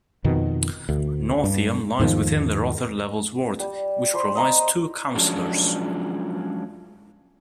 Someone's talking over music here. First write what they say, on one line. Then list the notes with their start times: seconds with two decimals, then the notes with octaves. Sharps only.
Northiam lies within the Rother Levels ward, which provides two councillors.
0.24 F2 B2 D#3
0.89 D2
1.44 G2
1.99 E2 G#2 D#3 F3
3.60 G3
4.14 C5 B5 D6
4.35 D#5 A#5 D6
5.16 F3 F#3 G#3 C#4 D4 F4